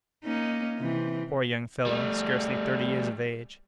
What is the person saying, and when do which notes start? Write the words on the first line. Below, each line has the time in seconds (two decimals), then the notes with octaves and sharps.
"Poor young fellow--scarcely thirty years of age!"
0.24 A#3 C#4 D#4
0.78 C3 E3 C4
1.86 G3 A3